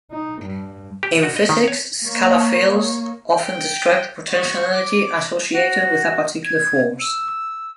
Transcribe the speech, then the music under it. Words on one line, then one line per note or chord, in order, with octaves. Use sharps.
In physics, scalar fields often describe the potential energy associated with a particular force.
D#4
G2
G4
F#4
D#5
D#3
C#5
A#3 C#5
G5
F#4
D6
F#4
G#6
E6